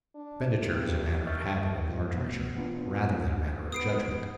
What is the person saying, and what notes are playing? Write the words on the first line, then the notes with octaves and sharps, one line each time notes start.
Expenditure is a matter of habit, in large measure, rather than a matter of judgment.
D4
G2
D#5 E5 C#6 F6 G6 A6
G#2 F4
B2 E3 A3 B3
A#3 B3 C#4 D4 F4
B3 D#6 C7 D7